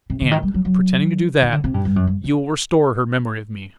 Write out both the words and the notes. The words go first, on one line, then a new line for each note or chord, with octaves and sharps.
"And, pretending to do that, you will restore her memory of me."
C3
D3
D#3
G3
F#3
F#3
D#3
D3
C3
G2
G2
F#2
G2
D#3